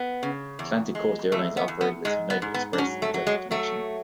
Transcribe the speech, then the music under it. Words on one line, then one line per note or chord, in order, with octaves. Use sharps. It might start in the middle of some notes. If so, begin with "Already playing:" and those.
Atlantic Coast Airlines operated as United Express and Delta Connection.
Already playing: B3
C#3
E2
G#3
E2 A3
B3
E2
B3
G#2 G#3
B3
G#2
B3
D4
F#3 C#4
A3
F#3
G#3
F#3 A3